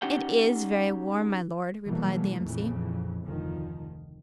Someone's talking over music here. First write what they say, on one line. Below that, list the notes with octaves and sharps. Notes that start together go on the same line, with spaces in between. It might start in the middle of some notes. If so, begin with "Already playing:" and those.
'It IS very warm, my Lord,' replied the M.C.
C#4 D#4 G4 F#5 G5
B2 E3 F#3 G3 A3 A#3
A#1 F2 C#3 E3
F1 D2 D#3 F3